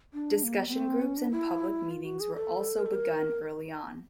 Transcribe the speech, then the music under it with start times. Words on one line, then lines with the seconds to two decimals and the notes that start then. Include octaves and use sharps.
Discussion groups and public meetings were also begun early on.
0.14 D4
0.43 A#3
0.58 B3
0.69 B3
0.72 C4
1.02 C#4
1.17 D4
1.31 E4
1.91 F4
2.05 F#4
2.20 G#4
2.35 A4
2.78 A#4
2.86 A4
2.94 A#4